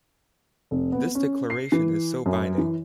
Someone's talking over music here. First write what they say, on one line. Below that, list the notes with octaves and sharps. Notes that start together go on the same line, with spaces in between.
This declaration is still binding.
F1
B3
C#4
C7
E3
F#2
E3